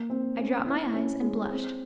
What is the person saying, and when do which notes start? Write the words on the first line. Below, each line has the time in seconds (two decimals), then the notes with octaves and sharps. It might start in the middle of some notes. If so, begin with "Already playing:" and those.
I dropped my eyes and blushed.
Already playing: A#3
0.10 C4
0.39 C#4
0.66 E4
0.87 E4
0.94 C#4
1.22 G#3
1.50 C4